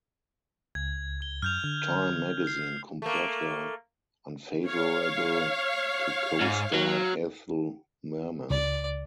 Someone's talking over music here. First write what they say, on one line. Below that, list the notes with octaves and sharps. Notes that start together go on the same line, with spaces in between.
"Time magazine" compared her unfavorably to co-star Ethel Merman.
C#2 G#6
G7
F#2 F6 G6 F7
D3
C7
A3 A#3
C#5 F5
G#2
F#3
C#2 D5